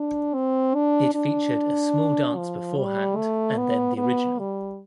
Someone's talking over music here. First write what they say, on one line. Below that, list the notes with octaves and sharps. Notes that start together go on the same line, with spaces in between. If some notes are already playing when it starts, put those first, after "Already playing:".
It featured a small dance before hand and then the original.
Already playing: D4
C4
D4
D4
F3
G3
A3
B3
B3
G3